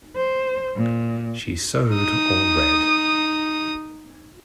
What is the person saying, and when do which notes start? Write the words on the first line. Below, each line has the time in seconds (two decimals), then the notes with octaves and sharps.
She sewed or read.
0.16 C5
0.76 A#2
1.92 D#4 D#6